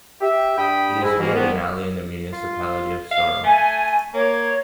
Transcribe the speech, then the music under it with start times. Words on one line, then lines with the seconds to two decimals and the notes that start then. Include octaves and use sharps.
It is near Dunalley in the municipality of Sorell.
0.21 G4 E5
0.57 G2 G5 B5 D#6
1.02 G#2 G#3 E4
1.18 G#2 B2 E3 A#3
1.34 C2 B3
2.33 F4
3.11 F5
3.44 A3 G#5
4.14 A#3 C#5